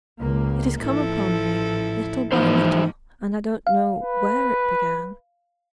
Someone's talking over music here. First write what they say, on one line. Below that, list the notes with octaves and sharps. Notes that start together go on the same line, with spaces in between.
It has come upon me little by little, and I don't know where it began.
C#2 A#3
A1 F3 E4 A4
G#2 E3 F3 A#3 D#4 C5
F5
B4